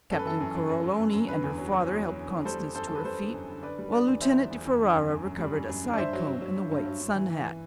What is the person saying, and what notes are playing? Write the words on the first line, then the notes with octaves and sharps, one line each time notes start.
Captain Coroloni and her father helped Constance to her feet while Lieutenant di Ferara recovered a side-comb and the white sun hat.
F#2 A4
B4
E3 A4
F#2
F#2
F#2
F#2
F#2
F#2
D3 B4
E2
F#3
F#3
E2
F#3
D3
E2
G3 A4 C5
G3
F#2 A4 C5
G3 A4
B4
G3 A4 C5
D3
F#2
D3
D3 B4 D5
G3
D3 B4 D5
E2
E2 C5 E5
E2
E2
E2
D3
F#2
F#2
F#2
G3
F#2
F#2
D3
D5
G2 C5 E5
F#3
F#3
F#3
G2
G2
F#3
G2
E3
E3